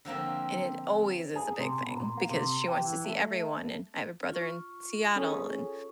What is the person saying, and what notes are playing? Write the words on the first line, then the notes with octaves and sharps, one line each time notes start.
and it always is a big thing, because she wants to see everyone, and I have a brother in Seattle and,
D3 F3 A#3 C4
G#4
C3
B2
A#2
A#3
C3
G4
E3
A3
F4 C#6
C#4 G#4 A4